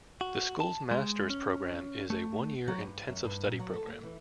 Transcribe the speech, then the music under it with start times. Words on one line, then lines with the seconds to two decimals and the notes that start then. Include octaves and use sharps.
The school's master's program is a one-year intensive study program.
0.21 F#4
0.60 A5
0.91 G#3
1.30 C#4
2.10 A3
2.68 F#3
2.80 G2
3.07 F#2
3.25 G2
3.44 A#2
3.59 F#3
3.74 A4
3.87 A#3
4.03 E3